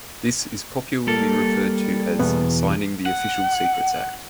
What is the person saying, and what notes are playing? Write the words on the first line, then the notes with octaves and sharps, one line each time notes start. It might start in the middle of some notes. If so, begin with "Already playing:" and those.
This is popularly referred to as "signing the Official Secrets Act".
G3 A#3 A4
E2 B2 B3
F#5